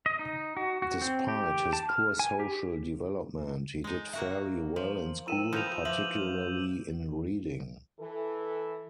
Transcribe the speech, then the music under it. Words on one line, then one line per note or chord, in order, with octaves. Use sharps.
Despite his poor social development, he did fairly well in school, particularly in reading.
D#5
D#4
F#4
F#4
C4
G4
A5
F6
G#5
G4
G#3 D#4
A#3 F#4 E5 F#5
F3 F#7
E4 A#4 G5 E6 D#7 E7
F3 B3 D#4 F4 A5 F6 G6 F7
F3 E5 D6 F#7
E3 A4